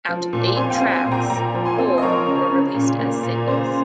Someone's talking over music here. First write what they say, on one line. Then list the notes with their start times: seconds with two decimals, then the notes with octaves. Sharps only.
Out of eight tracks, four were released as singles.
0.09 F3
0.33 A#2
0.57 C4 G#5 C6
0.70 G5
0.75 F5 G#5
0.81 C4
0.93 G#5 C6
1.05 A#2
1.12 G5 A#5
1.30 A#2 G5 A#5
1.54 F3
1.65 G#5 C6
1.78 C4
1.98 D#5
2.02 F3 A#4 C#5
2.26 C#3
2.50 C#3
2.74 A#2
2.99 A#3
3.23 A#2
3.48 C#3 C5